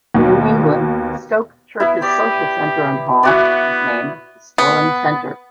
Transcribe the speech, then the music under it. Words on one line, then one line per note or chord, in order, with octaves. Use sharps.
In England, Stoke Church's social centre and hall is named "The Stirling Centre".
D#2 B2 D#3
B3 E4
G4 D5
B3 E4 F#4 D5
B3